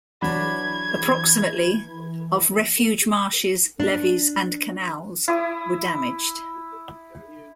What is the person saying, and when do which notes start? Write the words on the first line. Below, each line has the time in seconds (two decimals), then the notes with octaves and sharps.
Approximately of refuge marshes, levees, and canals were damaged.
0.22 E3 F#3 D4 B5 G#6
3.80 D4
5.28 E4 D#6